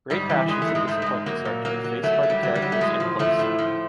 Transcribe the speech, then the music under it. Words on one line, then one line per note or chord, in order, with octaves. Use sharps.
Great passions and disappointments are to be faced by the characters in Love Song.
G#2 G3
E3
E3 G#3
A3
G#2
G#3
G#2 A3
G#2 G#3
F#3 A#3
A#2
F#3 A#3
F#3
F#3 A3
F#3
G3
F#3
G3
F#3
A3
A2 G#3
F3
F3 A3
A2
F3